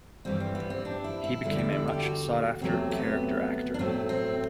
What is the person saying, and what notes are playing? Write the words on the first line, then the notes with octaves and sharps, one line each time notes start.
He became a much sought after character actor.
G2 E3 G3 C4
C4
B3
C4
D4
E4
E4
E2 D3 G3 E4
D4
E4
G4
F#4
E2 C3 F#3 A3 C4
B3
D4
A2 F#3 A3 C4
C4